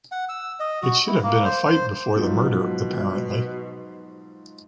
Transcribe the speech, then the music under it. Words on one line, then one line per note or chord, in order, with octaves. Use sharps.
It should have been a fight before the murder apparently.
F#5
E6
D#5
F#4
E4
A#3
C5
C5
G#2 B2 F3 F#3